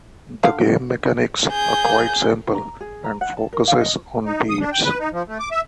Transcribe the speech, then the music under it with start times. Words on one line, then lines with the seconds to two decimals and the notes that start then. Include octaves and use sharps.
The game mechanics are quite simple and focuses on beats.
0.44 D3 F5
1.49 G#4 G6
1.84 A#3
2.55 A#5
2.81 G#4
3.05 A#5
3.21 F#5
3.37 A5
3.53 A#4
3.68 F5
3.81 D#5
4.26 D#4
4.49 D#6
4.61 D4
4.72 G5
4.84 B4
5.00 D#4
5.13 F3
5.28 A3
5.39 D6
5.51 E5